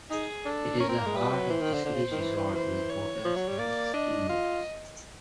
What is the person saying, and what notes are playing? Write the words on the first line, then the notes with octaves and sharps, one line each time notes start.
It is the heart of the ski resort with hotels and ski lifts.
D#4 G#4
D4 A4
C#4 A#4
C4
A#3
G#3
G3 B4
F#3
E3 C5
D#3
D3
D3
C#3
D#3
E3
E3
C5
C#5
F3
F#3
G3
A#3 D5
D4 D#5
F4